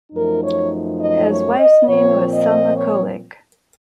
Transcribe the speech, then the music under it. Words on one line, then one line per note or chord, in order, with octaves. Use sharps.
His wife's name was Selma Kulik.
F#2 F3 A3 D#4 A#4
C#5
D#5
C#5
D#5
A#2 F3 C4 C#5
D#5
C#5